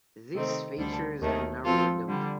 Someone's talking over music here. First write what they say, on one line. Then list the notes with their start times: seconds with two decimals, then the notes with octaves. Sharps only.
These features are now redundant.
0.34 C3 D#3 A3 C4 D#4
0.77 D2 D3 G3 D4 A4
1.21 D#2 D#3 A3
1.64 F3 C4 F4 A4
2.07 D3 G3